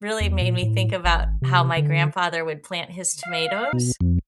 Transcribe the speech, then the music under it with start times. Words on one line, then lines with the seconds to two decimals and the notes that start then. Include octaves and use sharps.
really made me think about how my grandfather would plant his tomatoes,
0.20 E2
0.41 A#2
0.62 A2
1.04 G#1
1.42 C3
1.77 D3
3.23 F5
3.73 B2
4.01 F2